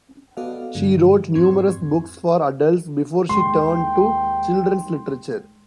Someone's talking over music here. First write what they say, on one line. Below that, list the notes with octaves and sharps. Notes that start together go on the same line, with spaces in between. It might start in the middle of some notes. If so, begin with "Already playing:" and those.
She wrote numerous books for adults before she turned to children's literature.
B3 F#4 A4 D5 D#5 F5
G2 D3 F3 G#3
F2 G#2 C4 C6 C#6 G#6
D#2 G#3 G5 C6